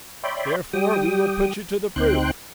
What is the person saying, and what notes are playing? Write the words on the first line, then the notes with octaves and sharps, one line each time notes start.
Therefore we will put you to the proof.
C#5 D5 E5 G5 B5 C6
G3 G4 G5 D#6
D2 C4 D#4 G5 C6 F#6